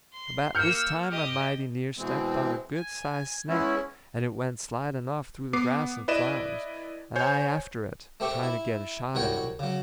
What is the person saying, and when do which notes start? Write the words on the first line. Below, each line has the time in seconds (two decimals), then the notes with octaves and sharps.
About this time I mighty near stepped on a good-sized snake, and it went sliding off through the grass and flowers, and I after it, trying to get a shot at it.
0.13 C6
0.55 A#3 E6 F6 G6 C#7
1.11 G4 D#5
1.98 B2 E3 G#3 C4
2.75 G#5
3.49 G#3 B3 C#4 E4
5.53 B3 D6 C7
6.08 E4 B4 D5 D#5 E7
7.15 C5 C#5 G#5 G6
8.20 A3 C4 G4 C#6
8.43 E4
9.15 C2 F#4 C#5 G5
9.59 C#3 F#3